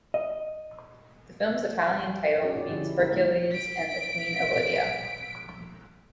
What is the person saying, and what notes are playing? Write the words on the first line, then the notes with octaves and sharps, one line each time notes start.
The film's Italian title means "Hercules and the Queen of Lydia".
D#5
C#4 D#4 F#4 G#4 C#5 D5
F4 D5
D3 F3 D4 E4 G4
E4
G3 G4 A#4 E5
A3 A#3 D4 E4 C#5
B6 D7